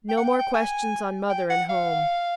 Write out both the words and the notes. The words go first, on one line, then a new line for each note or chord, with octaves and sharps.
No more questions on mother and home!
G5
F#5
G5
G5
G#5
G5
F#5
F5